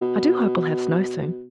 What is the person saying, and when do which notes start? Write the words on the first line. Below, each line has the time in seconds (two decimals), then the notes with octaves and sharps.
I do hope we'll have snow soon.
0.02 B2